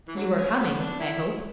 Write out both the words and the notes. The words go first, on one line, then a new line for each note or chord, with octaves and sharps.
'You are coming, I hope?'
E3
D3 F#3
C#4
C#4
B3
D4
E4